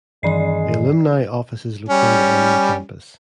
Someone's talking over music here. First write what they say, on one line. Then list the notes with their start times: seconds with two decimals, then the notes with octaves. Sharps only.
The alumni office is located on the campus.
0.23 G2 D#3 E3 G#3 D5 C7
1.89 G3 C#4